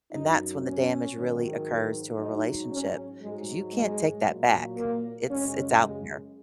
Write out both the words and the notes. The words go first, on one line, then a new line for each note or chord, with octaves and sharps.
and that's when the damage really occurs to a relationship 'cause you can't take that back, it's it's out there.
F#2 F#3 D#4
C#4
G#2 D#3 F#3
G#2 F#3 D#4
C#4
G#2 F#3 G#3
G#3
A#2 F#3
A#3
F#2 C#3 G#3 C#4
G#3